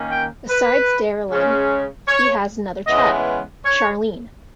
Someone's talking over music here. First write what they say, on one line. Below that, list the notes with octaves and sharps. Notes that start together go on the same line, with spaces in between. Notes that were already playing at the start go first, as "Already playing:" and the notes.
Besides Darylynn, he has another child, Charlene.
Already playing: D#3 A#3 C#4
G5
B4
C#3 G#3 C#4
C#5
C#3 E3 G#3 B3 D#5
C#5